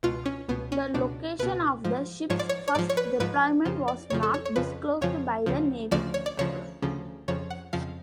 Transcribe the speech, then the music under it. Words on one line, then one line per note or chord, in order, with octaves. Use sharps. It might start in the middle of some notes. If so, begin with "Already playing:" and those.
The location of the ship's first deployment was not disclosed by the Navy.
C#2 B2 F4
C#4
C#2 B2 B3
C#4
C#2 B2 D4
C#2 B2 B4
G#2 F3
G#2 F3 C#5
D5
C#5
C#5
G#2 F3 D5
C#5
B4
G#2 F3 B4
F2 C#3 F3
D5
F2 C#3 F3 C#5
A4
C#5
C#5
F2 C#3 F3 B4
F2 C#3 F3 C#5
D2 C#3 F3
D2 C#3 F3 D5
C#5
D5
D2 C#3 F3 C#5
D2 C#3 F3
F2 C#3 F3 C#5
F#5
F2 C#3 F3 F5